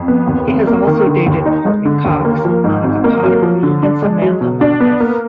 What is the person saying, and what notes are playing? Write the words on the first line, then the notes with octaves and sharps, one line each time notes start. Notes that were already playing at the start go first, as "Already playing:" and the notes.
He has also dated Courteney Cox, Monica Potter, and Samantha Mathis.
Already playing: F2
B3
D#2
F1
A#3
D#3
D3
D#2
D#4
G#3
D3
D#2
A#3
F3
G#2
G#1
A#3
F#3
F3
D3
D4
G#3
F#3
B2
D4
B3
A#3